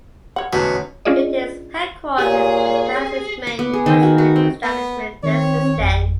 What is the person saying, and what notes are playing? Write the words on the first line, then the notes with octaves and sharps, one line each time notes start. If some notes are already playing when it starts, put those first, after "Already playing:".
It is headquartered and has its main industrial establishment there since then.
C#5 F#5
E2 B2 D3 A3 C#4 F#4 B4
C#4 D4 F4 G#4 D5 D#5
A#2 G4 G#4 C#5
D6
B3
G#4
D#3
F#4
F#4
C4
B3
D#3 C4 C#5
G#1 F2